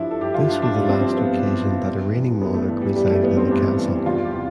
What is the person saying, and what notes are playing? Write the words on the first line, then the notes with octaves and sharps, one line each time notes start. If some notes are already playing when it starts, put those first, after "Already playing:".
This was the last occasion that a reigning monarch resided in the castle.
Already playing: G2 F3 D4 E4
A4
G2 G4
F4
F3 D4
D4
G2 G3
C4
F3
B3
G2
F3
G2
E3
G2 B3
A3
E3 A3
G3
G2 G3
A3
E3 B3
C4
G2 D4
E3
E2 F4
G4
C3 E3